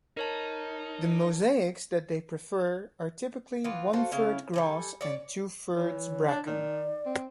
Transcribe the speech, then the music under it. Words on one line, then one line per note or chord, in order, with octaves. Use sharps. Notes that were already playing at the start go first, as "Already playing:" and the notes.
The mosaics that they prefer are typically one-third grass and two-thirds bracken.
D#4 A#4 C#5 A5
E3 B3 F4
F4 F#4 A4 C5
C#3 C#4 E4 F5
G3 A4 G#5
C#5 D5
E3 C#5
D4
D#3 D5
C4